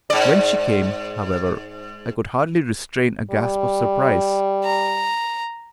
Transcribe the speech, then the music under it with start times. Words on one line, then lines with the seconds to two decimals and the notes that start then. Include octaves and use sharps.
When she came, however, I could hardly restrain a gasp of surprise.
0.10 G#2 D5
3.31 G3
4.64 A#5